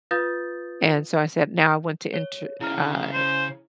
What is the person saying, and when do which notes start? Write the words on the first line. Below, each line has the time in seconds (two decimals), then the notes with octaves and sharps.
and so I said, “Now I want to enter “uh,
0.11 F4 B4 F5 D#6 G6 A6
2.14 C#5
2.61 C#3 E4 A#5 F6
3.13 C5